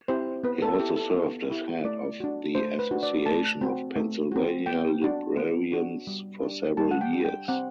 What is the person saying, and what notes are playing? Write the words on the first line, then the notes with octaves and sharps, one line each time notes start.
He also served as head of the Association of Pennsylvania Librarians for several years.
C4 E4 G4 C5
B3 B4
A4
E4 G4
A4
B3
E4 G4
A3 D5
D4 F#4
A3 C5
B4
D4 F#4
D5
A3 A5
C4 F#4
A3
C4 F#4
B3 G5
D4 F#4
B3
D4 F#4
G3
D4 G4
G3 A5
F#5
G5
D4 G4
G5
C4 F#5